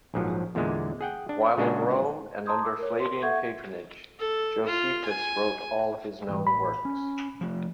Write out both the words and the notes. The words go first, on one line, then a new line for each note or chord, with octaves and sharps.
While in Rome and under Flavian patronage, Josephus wrote all of his known works.
A#1 G#2 F3 F#3
E2 A#2 D3 G#3
G#4 F#5 G5
D4
A#2 C#3 G#3 D4 F#4 G#4
A5 A#5 C6 D#6 G6 G#6
D6 E6
A#4 C#5
C6
A4 E5 F#5 C#6 G6 G#6
A4
F4
G#5
G1 G#2 E3
A1 B5
C#4
F3 A3